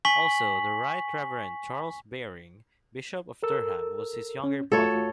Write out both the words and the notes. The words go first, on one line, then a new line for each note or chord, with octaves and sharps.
Also, the Right Reverend Charles Baring, Bishop of Durham, was his younger brother.
G#5 C#6 B6 F#7
A4 A#4 E6
C#4
A3 F4 F#4 A4 C#5